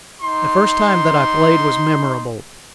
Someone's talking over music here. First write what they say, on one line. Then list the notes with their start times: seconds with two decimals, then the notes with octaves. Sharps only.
The first time that I played was memorable.
0.22 D#4 C6